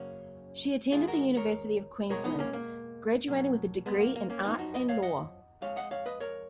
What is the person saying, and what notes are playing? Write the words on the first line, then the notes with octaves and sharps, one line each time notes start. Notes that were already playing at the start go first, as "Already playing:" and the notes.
She attended the University of Queensland, graduating with a degree in arts and law.
Already playing: F#2 C#3 F#3 A#3 C#4
G#2 D#3 G#3 F4 G#4
F#4 A#4
A#4 C#5
B2 G#3 A#4 C#5
B3 D#4
A#3 C#4
A#3
B2 F#3
G#3 B3
A#3
A#3
A#3 C#4
F#2 F3 G#3 B3 D#4
D#4 F#4
B4 D#5
C#5 F5
D#5 F#5
F2 F3 G#3 C#5 F5
D#5 F#5
C#5 F5
B4 D#5
A#4 C#5